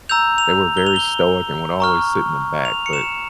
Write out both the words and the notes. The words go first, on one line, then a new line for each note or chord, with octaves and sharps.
They were very stoic and would always sit in the back, but
A#5 E6 G6 F7
F7
G7
F7
G7
A#5 C#6 F6
F7
C#7
E7